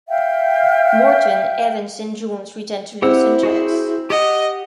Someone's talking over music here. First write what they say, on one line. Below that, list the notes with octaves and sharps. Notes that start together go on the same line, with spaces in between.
Morton, Evans and Jones return to Los Angeles.
E5 F5 G5
C4 E4 G4 F#5 E6
F#4 G#4 C5
G4 D#5 F#5